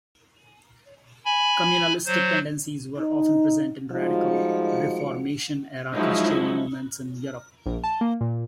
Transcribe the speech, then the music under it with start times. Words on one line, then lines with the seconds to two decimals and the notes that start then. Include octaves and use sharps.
Communalistic tendencies were often present in radical Reformation-era Christian movements in Europe.
1.25 G#5 B5
2.06 F#3 C5
2.98 D#4
3.92 F3 G3 G#3 D#4 F4 F#4
5.95 F3 F#3 G#3 D#4 E4
7.66 A#1
7.84 A5
8.01 A#3
8.21 A#2